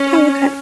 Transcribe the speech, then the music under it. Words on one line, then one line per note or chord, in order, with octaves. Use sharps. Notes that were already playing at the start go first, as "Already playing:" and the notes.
Oh, okay.
Already playing: C#4